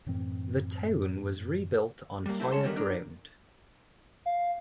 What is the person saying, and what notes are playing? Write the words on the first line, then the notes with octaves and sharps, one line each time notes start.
The town was rebuilt on higher ground.
F#2 A2 E3 C4
G3 A#3
A#2 F#3 A3 C4 E4
G#3 C#5 A5 C6
D3 D#3 G3 B3 A#4 B4
D4 A#4
F5